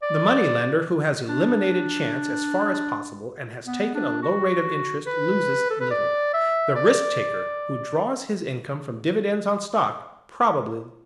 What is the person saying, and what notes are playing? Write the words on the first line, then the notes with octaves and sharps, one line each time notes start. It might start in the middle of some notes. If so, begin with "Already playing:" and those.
The money-lender who has eliminated chance as far as possible and has taken a low rate of interest loses little; the risk-taker who draws his income from dividends on stock probably loses much.
D5
D4
B3
D4
F#4
B4
A4
B4
D5
E5
D5